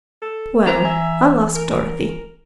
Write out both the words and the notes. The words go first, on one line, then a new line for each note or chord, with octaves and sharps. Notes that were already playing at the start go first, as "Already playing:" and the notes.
"Well, I'll ask Dorothy."
A4
E3 C4 A#4 A#5
E5 G#5
A#4